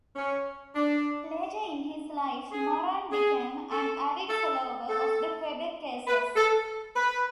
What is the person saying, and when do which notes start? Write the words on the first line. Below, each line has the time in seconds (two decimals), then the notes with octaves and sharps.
Later in his life, Moran became an avid follower of the Quebec Aces.
0.16 C#4
0.76 D4
2.52 G#4
3.12 G#4
3.71 A4
4.29 A4
4.89 A4
6.07 B4
6.36 A4
6.95 B4